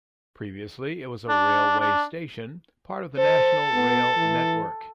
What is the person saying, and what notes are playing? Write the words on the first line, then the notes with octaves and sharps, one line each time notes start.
Previously it was a railway station, part of the National Rail network.
D4
D4
A4 C5
B3
E3